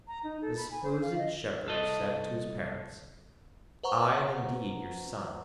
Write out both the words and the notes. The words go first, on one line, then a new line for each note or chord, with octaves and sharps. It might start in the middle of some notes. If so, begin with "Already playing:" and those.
The supposed Shepherd said to his parents, 'I am indeed your son.
A#5
D#4
A4
B5
G#5
C5
F5
D#5
C2 A4 D#5
B4 C5 F#5 A#5 C#6